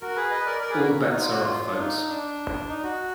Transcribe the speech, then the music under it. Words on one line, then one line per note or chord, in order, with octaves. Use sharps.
All bets are off folks.
F#4 A#4
G#4 B4
B4 D#5
A#4 D5
A#4 D5
G#4 B4
F#4 A#4
F#4
D#4
F4
F#4
F4
D4
D#4
D4
D#4
F#4